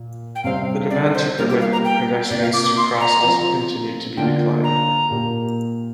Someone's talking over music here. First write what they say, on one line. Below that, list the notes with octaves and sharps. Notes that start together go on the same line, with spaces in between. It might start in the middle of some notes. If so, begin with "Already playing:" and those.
The demand to permit pedestrians to cross also continued to be declined.
Already playing: A#2 A#3
G5
C3 G3 C4 F5
D5
C5
G3 A#3 F4 A#4
G4
F5
A#5
G5
C3 A#3 F4 D5
F5
D6
D6
C6
A#5
F3 C4 F4
D3 A#3 F4 G5
A#5
A#2 A#3 G4